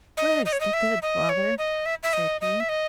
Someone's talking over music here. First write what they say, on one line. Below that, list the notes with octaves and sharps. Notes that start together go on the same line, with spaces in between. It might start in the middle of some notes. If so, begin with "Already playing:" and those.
'Where is the good, father?' said he.
D#5
D#5
C#5
D#5
E5
D#5
C#5
D#5
E5
E5
D#5
D#5
E5
D#5